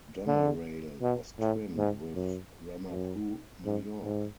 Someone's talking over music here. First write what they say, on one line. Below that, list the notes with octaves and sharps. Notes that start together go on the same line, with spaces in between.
Doneraile was twinned with Ramapo, New York.
D3
B2
A2
G#2
F#2
F#2
G#2
G#2